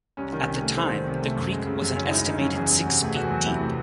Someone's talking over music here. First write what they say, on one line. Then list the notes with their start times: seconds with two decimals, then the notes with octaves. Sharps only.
At the time, the creek was an estimated six feet deep.
0.17 C2 C#4
0.33 D#3
0.48 C3
0.62 A3
0.77 C2 C4
0.92 D#3
1.07 C3
1.21 A3
1.36 F#2
1.52 G#3
1.66 C#3
1.82 F#2
1.96 F#2 C#4
2.05 E4
2.11 G#3 D#4
2.27 C#3 D#4
2.41 F#2 C#4
2.56 E2 G#4
2.71 F#3
2.86 C3
3.02 A3 G#4
3.16 E2 F#4
3.30 F#3
3.46 C3 E4
3.60 A3